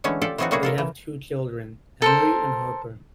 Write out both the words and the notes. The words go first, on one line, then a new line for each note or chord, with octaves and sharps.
They have two children, Emery and Harper.
D3 E3 G#3 A3 C#4
F4 G4 A4 D5
E3 F#3 C4 D#4 F4 F#4
G3 A3 A#3 C#4 F#4 G#4
F4 A4 A#4
E3
A4 A#4 C5